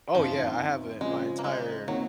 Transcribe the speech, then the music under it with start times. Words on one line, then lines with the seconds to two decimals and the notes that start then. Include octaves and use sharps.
Oh, yeah. I have it my entire
0.15 G#1 F#2 D#3 F3
1.01 C#3 F3 G#3 C4
1.39 A#3
1.44 G#3
1.87 C3 D#3 F#3 A#3